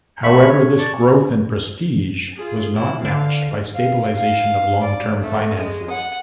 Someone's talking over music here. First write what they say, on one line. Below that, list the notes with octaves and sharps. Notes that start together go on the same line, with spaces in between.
However, this growth in prestige was not matched by stabilization of long-term finances.
A3 E5 B5 C#6
C#5
D5 A5 C#6
F4 G#4
E3 E4
D3 F5
F5
F5
D5
A3
G#3
F#5